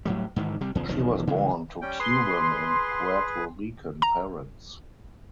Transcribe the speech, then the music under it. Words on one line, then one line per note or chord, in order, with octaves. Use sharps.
She was born to Cuban and Puerto Rican parents.
A2 F#3 G3
G#2 D#3 E3
C3 G3
E2 C#3 F3
E1 B1 D#3 F3
C#3 E3 G#3
G3 C#4 G5
G#4 B4 C6
A#5